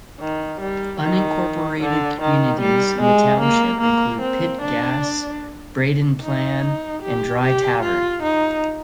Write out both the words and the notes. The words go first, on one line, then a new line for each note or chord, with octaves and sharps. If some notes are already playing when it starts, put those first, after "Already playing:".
Unincorporated communities in the township include Pitt Gas, Braden Plan, and Dry Tavern.
D#3
G3
D#3
D3
D#3
G3
G#3
A#3
A#3
C4
D4
D#4
G4
G4
F4
D#4